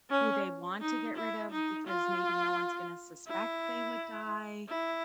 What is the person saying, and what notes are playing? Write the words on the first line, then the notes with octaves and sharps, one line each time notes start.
who they want to get rid of, because maybe no one's gonna suspect they would die,
C#4
D#4
E4
D#4
F4
E4
E4